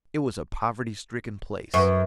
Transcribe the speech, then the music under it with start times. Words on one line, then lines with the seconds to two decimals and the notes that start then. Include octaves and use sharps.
It was a poverty stricken place.
1.74 F#2 B4 C#6